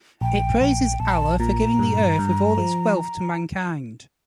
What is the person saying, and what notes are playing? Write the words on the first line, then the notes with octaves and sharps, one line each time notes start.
It praises Allah for giving the Earth with all its wealth to mankind.
A#1 G5
A#1 G5
A#1 A5
A#2 A#5
G2
G2
F3